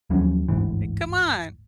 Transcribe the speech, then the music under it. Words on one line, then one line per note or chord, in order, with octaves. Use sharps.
Like, come on."
D#2 F3 F#3 C#4
G1 D2 G#2 E3